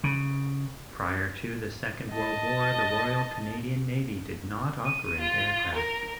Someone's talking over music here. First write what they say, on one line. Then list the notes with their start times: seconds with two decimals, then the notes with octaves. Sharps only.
Prior to the Second World War the Royal Canadian Navy did not operate aircraft.
0.04 C#3
2.10 D#5 A5
4.85 D#7
5.20 F4
5.75 A#4